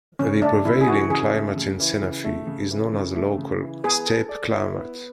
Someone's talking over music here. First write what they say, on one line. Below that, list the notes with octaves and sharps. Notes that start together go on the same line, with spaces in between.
The prevailing climate in Senafe is known as a local steppe climate.
C#3 C#4
A3 D4
C#3 E4
G#4
E3 F#4
C#3 G#4
A3
C#3
E3
C#3
A3
C#3
E3
C#3
A3
C#3
E3
B3 G#4
A4
D5
E4
B3